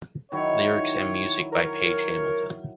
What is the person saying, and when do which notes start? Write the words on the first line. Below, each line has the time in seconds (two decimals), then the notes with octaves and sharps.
Lyrics and music by Page Hamilton.
0.32 D#3 F#3 E4 C#5
1.52 A#4 C#5